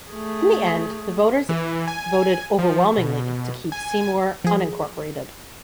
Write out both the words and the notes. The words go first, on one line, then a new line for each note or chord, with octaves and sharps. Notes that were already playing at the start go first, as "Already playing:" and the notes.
In the end, the voters voted overwhelmingly to keep Seymour unincorporated.
A3 G#4
E3
G#5
F3
B2
G#5
F3 G#4